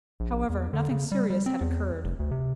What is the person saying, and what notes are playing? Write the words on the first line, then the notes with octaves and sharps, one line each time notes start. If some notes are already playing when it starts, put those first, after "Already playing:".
However, nothing serious had occurred.
A#1
E2
D3
C#3
G3
G3
C4
E2
F1
D2
C3